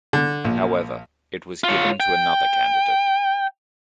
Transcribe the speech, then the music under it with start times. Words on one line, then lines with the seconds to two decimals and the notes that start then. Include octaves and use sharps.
However it was given to another candidate.
0.13 D3
0.45 A#1
1.64 F4 C#5
2.00 G5